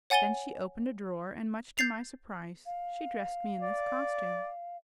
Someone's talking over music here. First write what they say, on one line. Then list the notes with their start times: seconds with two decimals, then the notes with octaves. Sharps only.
Then she opened a drawer, and much to my surprise she dressed me in this costume.
0.10 C#5 F#5 G#5 A6 D#7 G7
1.78 G6 A6 C7 F7
2.66 F5
3.61 D5